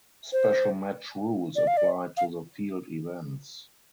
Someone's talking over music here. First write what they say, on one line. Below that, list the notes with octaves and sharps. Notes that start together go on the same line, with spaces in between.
Special match rules applied to the field events.
C5
D5
F5
D5
F5